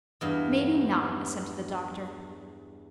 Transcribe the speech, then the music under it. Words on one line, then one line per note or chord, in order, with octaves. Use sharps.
"Maybe not," assented the doctor.
E2 G2 F5